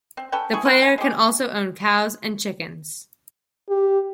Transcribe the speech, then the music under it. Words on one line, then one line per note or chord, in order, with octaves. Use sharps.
The player can also own cows and chickens.
C4
C#4 A4 B4 G5
E4 G#4 C#6
B4 C5 F#5
G#5
G#3 G4
G4